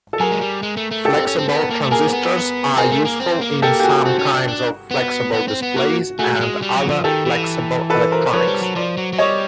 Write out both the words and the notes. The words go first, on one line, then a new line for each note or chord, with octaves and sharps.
Flexible transistors are useful in some kinds of flexible displays and other flexible electronics.
A4
F#3 G#4 A#4
G#3
G3
G#3
A3
A3
G4 A4
C4
C#4
C4
B3
A#3
A3
A#3 G#4 A#4
C4
B3
C4 G#4 A#4
A3
A#3
C4
A#3
A#3 G4 A4
G4
F#4 G#4
C4 F#4
C#4
D4
D4
B3
B3
C4
B3
A#3 F#4
A3 F#4 G#4
A3
G#3
G3
F#3
F3
D#3 G4 A4
E3
A4 B4
A#4 C5
F3 B4 C#5
G3
F#3
F3 C5 D5
F#3
F#3
G3 C#5 D#5